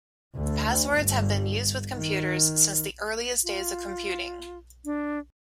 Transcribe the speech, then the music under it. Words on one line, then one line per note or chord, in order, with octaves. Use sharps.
Passwords have been used with computers since the earliest days of computing.
D2
G1
D#3
F4
D4